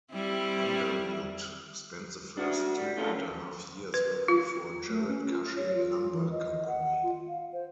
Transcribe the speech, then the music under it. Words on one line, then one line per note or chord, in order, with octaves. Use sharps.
Underwood spent the first two and a half years working for Jarrett-Cushing Lumber Company.
G3 C4 E4
D4 F#4
G3
A3 C#4 F4 G#4 A4
B4
F4
A3
C#4
F4
C#5
F4
E3
D#5
F#5
F4
F5
C5